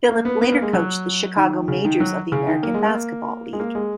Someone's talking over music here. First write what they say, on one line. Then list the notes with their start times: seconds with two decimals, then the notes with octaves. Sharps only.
Phillip later coached the Chicago Majors of the American Basketball League.
0.09 A#3
0.25 B3
0.41 B3
0.52 A#3
0.62 G#3
0.73 F#3
1.37 D#3
1.68 C#3
1.85 D#3
2.00 F#3
2.32 C#3
2.47 D#3
2.63 A#3
2.74 G#3
2.84 A#3
3.53 G#3
3.60 A#3
3.75 G#3